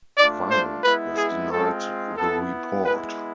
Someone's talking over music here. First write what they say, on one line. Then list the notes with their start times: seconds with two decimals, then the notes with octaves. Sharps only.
Wang has denied the report.
0.17 A3 D4 F4 D5
0.50 C5
0.84 G#3 B3 E4 B4
1.16 G#4
1.51 G#3 C4 F4 A4
2.17 B3 E4 A4
2.83 G#3 B3 E4 B4